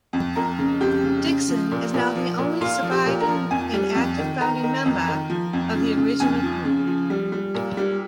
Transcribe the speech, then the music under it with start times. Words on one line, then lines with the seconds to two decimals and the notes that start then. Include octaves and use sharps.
Dixon is now the only surviving, and active, founding member of the original group.
0.13 F2
0.36 F2 A#4
0.59 C#3
0.81 F2 G4
1.04 C#3
1.26 C#3
1.49 F3
1.71 A#2
1.94 A#2
2.15 F3
2.38 A#2
2.61 A#2 F4
2.83 F3
2.91 G4
3.06 A#2
3.21 A#4
3.28 F3
3.50 F2 G#5
3.74 G3
3.95 F2
4.19 D#3
4.41 D#3 A#5
4.63 D#3
4.86 F2
5.08 D#3
5.30 F3
5.53 F2
5.76 C#3
5.97 C#3
6.20 F2 G#5
6.43 F3
6.65 C#3
6.87 F3
7.10 G3
7.32 G3
7.54 A#2
7.77 G3